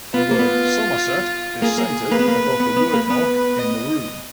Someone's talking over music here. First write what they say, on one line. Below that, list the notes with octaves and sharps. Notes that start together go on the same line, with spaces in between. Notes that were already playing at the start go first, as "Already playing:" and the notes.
The word "Somerset" is centered above the wordmark in maroon.
B3 F4
A#3
B3
A#3 G#4
A#3
A#3 B4
B3
A#3
B3
B3
A#3
B3 B4
D#5